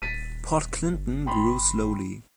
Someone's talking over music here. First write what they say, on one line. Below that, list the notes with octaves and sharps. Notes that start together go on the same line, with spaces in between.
Port Clinton grew slowly.
D#1 A6 B6 D#7
G1
G5 B5 C6